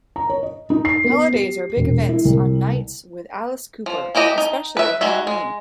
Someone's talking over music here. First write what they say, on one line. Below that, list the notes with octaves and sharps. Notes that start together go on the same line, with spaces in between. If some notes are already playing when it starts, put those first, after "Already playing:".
Holidays are big events on "Nights with Alice Cooper", especially Halloween.
A#5
C#5
D#5
D#4
C7
B3
G4
E1
E4
C2
F3
E3 E4 G4 D#5 A#5
D#4
B4 E5
G#3 D#4 F#4 E5
G#3